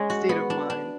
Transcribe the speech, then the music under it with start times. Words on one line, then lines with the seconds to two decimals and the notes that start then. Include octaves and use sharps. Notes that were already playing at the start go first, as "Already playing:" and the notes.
state of mind.
Already playing: G#3 C#4
0.10 F#4
0.29 B3
0.50 D4
0.70 D4